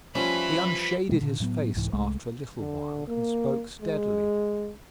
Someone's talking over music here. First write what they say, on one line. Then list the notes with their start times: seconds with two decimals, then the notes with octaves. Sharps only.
He unshaded his face after a little while, and spoke steadily.
0.15 F3 G3 C#4 B4 E5 B5
1.09 B2 G3 G#3
1.21 A#2 D3
1.40 A2 F#3 G#3 B3
1.75 C2 G#2 E3
1.93 C2 G#3 A3
2.59 D3
3.07 A#3
3.81 G#3